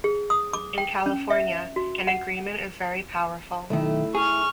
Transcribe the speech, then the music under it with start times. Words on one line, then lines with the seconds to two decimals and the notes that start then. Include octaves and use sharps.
In California, an agreement is very powerful.
0.04 G#4
0.30 D#6
0.53 D6
0.78 G5
1.06 C#4
1.30 E5
1.76 F#4
2.07 F#5
3.70 B1 D#3 A3 E4
4.15 G#4 C#6 F6